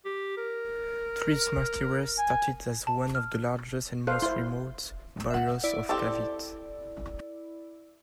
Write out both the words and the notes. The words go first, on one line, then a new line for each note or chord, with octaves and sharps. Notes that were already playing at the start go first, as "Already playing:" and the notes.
Trece Martires started as one of the largest and most remote barrios of Cavite.
G4
A#4
G#5
A5
F6
A4 C5 F5 F#6
E4 C5 C6
E5 F#5
E4 D5
C4 G4 A4